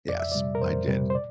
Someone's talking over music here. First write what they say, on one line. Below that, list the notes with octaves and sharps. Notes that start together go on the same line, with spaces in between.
yes, I did.
F2 D5
E5
C3 G3 D5
A#4
F2 C5
C3 G3
C5
D5